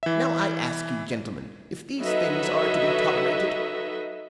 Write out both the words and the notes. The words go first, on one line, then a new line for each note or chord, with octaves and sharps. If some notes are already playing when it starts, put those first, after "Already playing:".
Now I ask you, gentlemen, if these things are to be tolerated?
E3 E5
F#3 D#4 A4 B4 D#5 E5